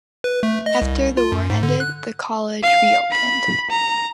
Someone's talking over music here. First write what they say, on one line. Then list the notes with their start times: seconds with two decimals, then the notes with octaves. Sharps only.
After the war ended, the college reopened.
0.24 B4
0.43 A3
0.66 D#5
0.82 C2
1.17 F4
1.32 F#2
1.50 G#2
1.63 D3
1.80 F#6
2.63 F5
3.11 B5
3.70 A#5